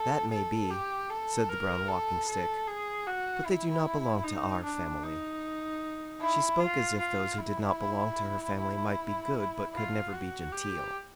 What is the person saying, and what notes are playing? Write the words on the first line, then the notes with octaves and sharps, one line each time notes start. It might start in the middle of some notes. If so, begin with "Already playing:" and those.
"That may be," said the Brown Walking-Stick, "but they do not belong to our family." She spoke as if those who did not belong to her family might be good but could never be genteel.
Already playing: A4
A4
G4
A4
A#4
A4
A4
G#4
F#4
E4
D#4
D4
D#4
E4
F4
F4
E4
E4
F4
F#4
G4